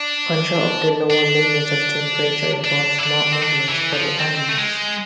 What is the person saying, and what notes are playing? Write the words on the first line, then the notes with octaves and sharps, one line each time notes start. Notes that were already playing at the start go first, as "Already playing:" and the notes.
Control of the lower limits of temperature involves more movement for the animals.
Already playing: D4
D4
D4
E4
D4
C4
D4
E3
F3
C4
A3
G#3